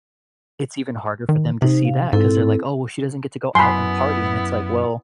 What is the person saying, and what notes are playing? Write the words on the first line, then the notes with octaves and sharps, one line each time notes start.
it's even harder for them to see that 'cause they're like, "Oh, she doesn't get to go out and party." And it's like, "Well,
D#3
C3 D#4 C5
F5
G#2 C4 E4 A4
F#2 B3 E4 G#5 B5 C6